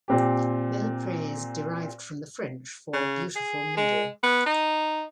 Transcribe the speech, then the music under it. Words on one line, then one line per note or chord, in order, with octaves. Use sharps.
Belpre is derived from the French for "beautiful meadow".
A#2 C4 G4
C#3
G#4
G#3
B3
D#4